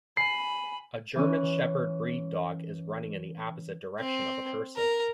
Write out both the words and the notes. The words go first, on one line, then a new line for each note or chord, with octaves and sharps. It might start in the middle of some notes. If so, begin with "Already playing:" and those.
A German sheperd breed dog is running in the opposite direction of a person.
G#5 B5 C7
E3 C#4
C4
A#4